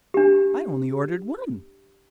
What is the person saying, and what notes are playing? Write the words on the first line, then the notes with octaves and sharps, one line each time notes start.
I only ordered one.'
D4 G4